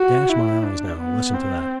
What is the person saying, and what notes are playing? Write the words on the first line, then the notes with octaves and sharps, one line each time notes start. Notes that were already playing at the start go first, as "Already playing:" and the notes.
'Dash my eyes now; listen to that!
Already playing: F#4
E4
D4
B3
C4